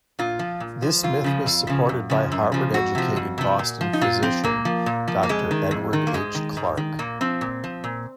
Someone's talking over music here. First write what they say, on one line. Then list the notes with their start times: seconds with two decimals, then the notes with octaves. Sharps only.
This myth was supported by Harvard-educated Boston physician Doctor Edward H. Clarke.
0.19 A#2 F4
0.39 F3
0.60 A#2
0.82 F3
1.03 F2 F4
1.24 C#3 F3
1.46 F2
1.67 C#3 F3
1.89 F#2
2.10 C#3 F3
2.32 F#2
2.52 C#3 F3
2.74 F2 F#4
2.95 C3 F3
3.16 F2
3.38 C3 F3
3.59 A#2
3.81 F3
3.93 D#4
4.01 A#2 F4
4.23 F3 C4
4.44 A#2 A#3
4.65 F3
4.86 A#2
5.08 F3
5.23 A#3
5.29 F2 G#3
5.51 D#3
5.71 F2
5.93 D#3
6.07 A#3
6.14 G#2 G#3
6.35 D#3
6.57 G#2
6.77 D#3
6.99 A#2 A#3
7.21 F3 C4
7.41 A#2
7.64 F3
7.84 A#2